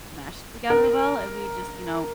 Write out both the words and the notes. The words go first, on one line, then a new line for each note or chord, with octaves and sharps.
mesh together well, and we just you know,
A#4